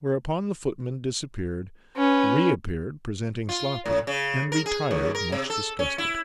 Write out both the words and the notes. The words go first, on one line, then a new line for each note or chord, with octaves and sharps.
Whereupon the footman disappeared, reappeared presenting Sloppy, and retired much disgusted.
C#4 B4
F4
A2
C#3
A#4
G#4
D#2
A#4
C3
A4
C#4
E4